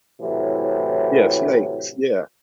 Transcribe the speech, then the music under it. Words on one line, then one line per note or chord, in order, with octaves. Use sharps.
Yeah, snakes. Yeah.
A2 C3 E3 F#3